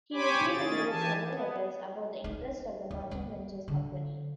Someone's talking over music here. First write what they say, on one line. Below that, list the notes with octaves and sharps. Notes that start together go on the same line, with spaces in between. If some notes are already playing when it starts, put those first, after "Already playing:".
He received and wrote several letters about the interests of the merchant venturers company.
G4 C5 C#5 G#5 B5 D6
D#3 C#4 G#4 A6
E3 G4 G#5 A5
B3
D#4
D#2
G3
D3